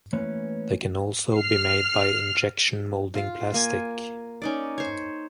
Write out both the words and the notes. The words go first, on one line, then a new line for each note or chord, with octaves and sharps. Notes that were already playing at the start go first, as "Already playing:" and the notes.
They can also be made by injection molding plastic.
E3 A3 A#3 C#4 B4 C#5
F6 C7
F4 F5
A#3 G#5
C#4 D#4 D5
C5 C#5